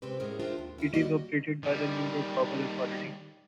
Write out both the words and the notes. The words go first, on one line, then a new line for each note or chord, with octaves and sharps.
It is operated by the New York Power Authority.
C3 G#3 C4 C#4 G4 B4
A2 G#3 A#3 C#4 G#4 A#4
D4 F4 A#4 C5 E5 G5
D#2
C#4 E4 F4
G3 A#3 F#4 D5 D#5
D#3 G3